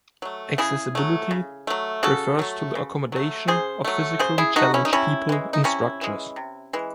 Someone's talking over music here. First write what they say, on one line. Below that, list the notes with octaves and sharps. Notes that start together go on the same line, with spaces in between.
"Accessibility" refers to the accommodation of physically challenged people in structures.
F#3 A3
C#3 E4 G#4
F#3 A3
C#3
F#3 A3
C#3 F#4 A4
F#3 A3
C#3
F#3 A3
C#3 G#4 C5
F#3 A3
C#3 G#4 C5
E4 G#4
F#3 A3 D#4 F#4
C#4 E4
D#4
C3 C#4 E4
E3 G#3
D#4
C3 C#4 E4
E3 G#3
C3
E3 G#3